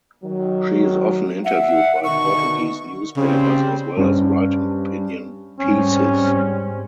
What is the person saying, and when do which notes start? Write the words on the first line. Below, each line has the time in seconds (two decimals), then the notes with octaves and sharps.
She is often interviewed by Portuguese newspapers as well as writing opinion pieces.
0.24 D#3 F#3
1.45 E5 F#5
2.04 B2 D3 D#3 C#6
3.17 C#3 G3 C4
3.97 G2 C#4 C5
5.60 G#2 G3 C4 C#4